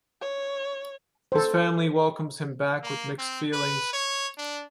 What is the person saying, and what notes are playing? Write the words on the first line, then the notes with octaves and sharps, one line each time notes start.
His family welcomes him back with mixed feelings.
C#5
A4 C5
A#3
C4
B4
C#5
D4